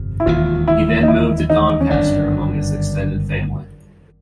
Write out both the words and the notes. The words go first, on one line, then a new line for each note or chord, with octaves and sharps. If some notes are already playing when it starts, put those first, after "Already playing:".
He then moved to Doncaster among his extended family.
Already playing: G1 F2 C3
E4
E1 D#2 D#3 F4
E4
D#4
E4
D#4
C#4
G1 F#2 D#3 D4